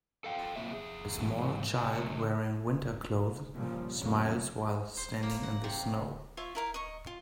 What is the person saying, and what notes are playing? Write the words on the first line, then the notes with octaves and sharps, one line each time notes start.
A small child wearing winter clothes smiles while standing in the snow.
A4 F5 G5
C3 F#3 A#3 F4 C#5 E5
F2 G#4
G#2 E3 F#3 G#3 A3
C3 G4 G#5
C#3 A3 C#5
A#2 C#3 F3 G3
F2 A2 C#3 F#3 A#3 C#4
C5
A#3
F#5
C3
F4 C#5 E5
E4 A#4 F5
D#5 C#6
F4